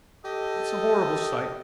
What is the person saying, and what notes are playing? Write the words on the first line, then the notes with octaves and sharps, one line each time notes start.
It's a horrible sight.
G4 A4 D#5